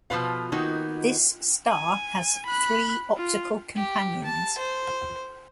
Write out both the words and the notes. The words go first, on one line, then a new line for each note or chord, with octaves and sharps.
This star has three optical companions.
B2 F3 A3 F4 B4 F5
D#3 A#3 B3 D#4 F#4
G#5
B5 F#6
F4
G4
A5
C5